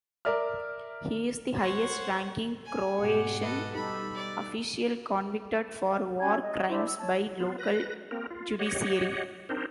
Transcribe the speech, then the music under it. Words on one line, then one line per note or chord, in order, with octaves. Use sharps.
He is the highest ranking Croatian official convicted for war crimes by local judiciary.
A#4 D5 E5 F6
C5 C#5 F#5 C#6
G#5
G#2 B2 G4 F#5
A4 B4 D#5
G3 D#4 G4 A4 B5
D5
C#4 F#4 G#5 G#6
D#5
D4 E4 C5 E5
E6
C#5 A5
B3 F4
B4 A#6
A#3 C4 A#4
F4
G4 C#5 D#5 F#5
C4 D4 D#4 A#4 C5